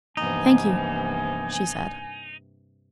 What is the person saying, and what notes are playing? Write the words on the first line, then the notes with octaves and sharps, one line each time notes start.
"Thank you," she said.
G2 C3 E3 F3 A#3 B3 D#4 G#5